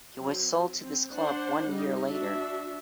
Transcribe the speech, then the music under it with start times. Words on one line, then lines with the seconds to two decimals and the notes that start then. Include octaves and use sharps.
He was sold to this club one year later.
0.16 F#3 C4
0.81 C4
1.12 D4 C5 F#5
1.68 G3 D#4
2.06 D4 F#4 E5